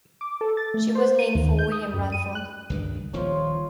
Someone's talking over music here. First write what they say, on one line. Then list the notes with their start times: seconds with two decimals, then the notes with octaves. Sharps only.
She was named for William Radford.
0.21 D6
0.41 A4
0.57 A6
0.74 A3
0.95 C5
1.19 D#7
1.35 D#2
1.59 G6
1.72 D#6
1.94 F#2
2.12 D#7
2.35 F#6
2.70 C#2 G2 D#3
3.13 D#1 D#2 F3 F4 C#5